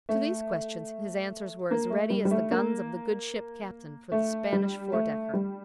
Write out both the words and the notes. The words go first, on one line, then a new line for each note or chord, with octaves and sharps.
To these questions his answers were as ready as the guns of the good ship Captain, for the Spanish four-decker.
A3
A#3
A3
G3
G3
A3
A#3
A3
G3
A3
G3